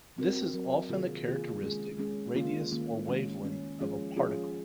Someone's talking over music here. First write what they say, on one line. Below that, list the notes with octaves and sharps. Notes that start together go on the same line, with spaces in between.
This is often a characteristic radius or wavelength of a particle.
F#3 C4 F#4 A#4
F#3 C4 F#4 A#4
C3 D#3 A#3 F4 G#4
C3 D#3 A#3 F4 G#4
G#3 C#4 G#4
G#3 C#4 G#4
D#3 A#3 C#4 F4
D#3 A#3 C#4 F4
D#3 G#3 C#4
D#3 G#3 C#4
F3 G#3 C#4 F4 G#4
F3 G#3 C#4 F4 G#4